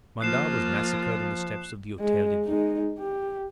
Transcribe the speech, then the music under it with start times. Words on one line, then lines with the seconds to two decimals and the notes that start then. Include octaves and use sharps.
Mandat was massacred on the steps of the Hotel-de-Ville.
0.21 F3 A#3 F4 F#6 C7 E7
2.00 G#3
2.45 G#3 D#4
2.99 G4